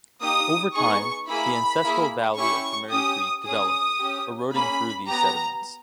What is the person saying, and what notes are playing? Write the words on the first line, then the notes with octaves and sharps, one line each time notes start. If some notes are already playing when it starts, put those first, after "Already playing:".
Over time the ancestral valley of the Merri Creek developed, eroding through these sediments.
A#3 D#4 G4 D#6
B3 D#4 G#4 C#6
A#3 E4 G#4 B5
A#3 E4 G#4
C#4 E4 G4 C#6
C#4 G4 D#6
C#4 G#4 D#6
C#4 G4
A#3 C#4 G#4 B5
B3 G4 A#5